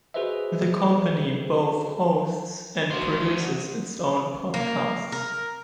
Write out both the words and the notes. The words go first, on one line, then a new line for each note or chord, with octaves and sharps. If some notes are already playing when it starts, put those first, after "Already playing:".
The company both hosts and produces its own podcasts.
F#4 G#4 B4 C5 D#5 E5
F#4 C5
A#3
A#4